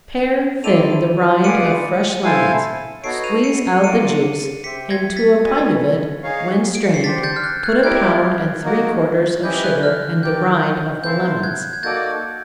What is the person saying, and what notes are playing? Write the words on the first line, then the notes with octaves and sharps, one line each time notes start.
Pare thin the rind of fresh lemons, squeeze out the juice, and to a pint of it, when strained, put a pound and three-quarters of sugar, and the rind of the lemons.
A3 C4 E4 A4 D5 D#7 F7
F4 G#4 B4 D5 F#5 C#7 D#7
E4 A4 C5 F5 G#5
B3 D#4 F#4 A4 C#5 C7 D7
D#7 F7
C#7 D#7
A3 D4 F4 A#4 D5 C#7 D#7
G4 C5 E5 G5 B6 C#7
G#6 A#6
A6 B6
F#4 B4 D#5 G#5
D#4 G#4 C#5 F5
D7
C#7
C7
D4 G4 C5 A6 B6
G6 A6
F6
F#6
F#6 G#6
E4 G4 A#4 D5 F#6 G#6
A#3 D#4 F#4 A#4
C#4 E4 G4 B4 D#5 G6
F#6
F6
F#6
G4 A#4 D5 G5 G6
C4 E4 A4 C5 F5 G6
F#6 G#6
G#6
A#3 D#4 F#4 A4 D5 G6 A6